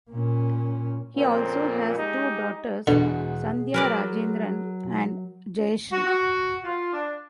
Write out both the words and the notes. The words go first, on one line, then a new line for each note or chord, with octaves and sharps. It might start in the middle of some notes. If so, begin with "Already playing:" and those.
He also has two daughters, Sandhya Rajendran and Jayasree.
A#2 C#4
F2 A#2 C#3 C4
G#3 D#4 G4
E2 B2 D3 F#4 G#4
F#3 A#4 B4 D5
F#4
F#4
F4
D4